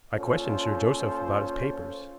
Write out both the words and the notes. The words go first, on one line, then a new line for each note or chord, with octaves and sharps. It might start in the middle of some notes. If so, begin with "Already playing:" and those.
I questioned Sir Joseph about his papers.
A#2 C#4 F4 A4 C5